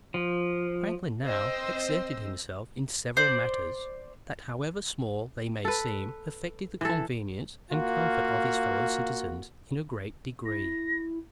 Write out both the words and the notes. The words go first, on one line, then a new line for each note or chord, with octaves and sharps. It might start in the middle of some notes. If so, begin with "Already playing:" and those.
Franklin now exerted himself in several matters that, however small they may seem, affected the convenience and comfort of his fellow citizens in a great degree.
F3
C4 C5 D#5 E6
C5 D5
A4 B4
E3 A4
A#3 F4 F#4
E4 A#6